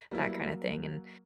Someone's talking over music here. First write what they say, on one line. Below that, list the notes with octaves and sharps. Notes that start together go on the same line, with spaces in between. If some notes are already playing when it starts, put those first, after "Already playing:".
that kinda thing, and
F#3 G3 A#3 B3 E4